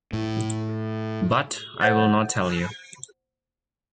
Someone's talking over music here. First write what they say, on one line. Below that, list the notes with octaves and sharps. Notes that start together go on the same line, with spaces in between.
But I will not tell you.
A2
C5 F#5 G6 A6